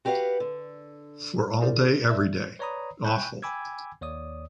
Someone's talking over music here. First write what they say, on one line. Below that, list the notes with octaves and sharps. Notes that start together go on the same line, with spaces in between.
For all day everyday. Awful.
F#4 G4 B4 C5 F5 F#5
D3
E4 F4 G#4 A#4 C5 D5
G#4
D5 E5 E6 G6
B4 C#5 D5 A#5 B5 D#6
G5 G#5 B5 C#6 F#6 G6
G5 G#5 B5 D6 E6 G#6
D#2 C#5 D5 D#6